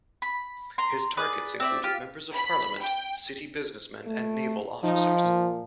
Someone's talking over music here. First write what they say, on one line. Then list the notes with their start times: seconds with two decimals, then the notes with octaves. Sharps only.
His targets included members of parliament, city businessmen and naval officers.
0.22 B5
0.78 A#5 C6
1.17 G#4 B4 D5
1.60 C4 D5 E5
1.84 F4 G4
2.33 B5
2.80 G5
4.07 A3
4.83 F3 D#4
5.25 A#2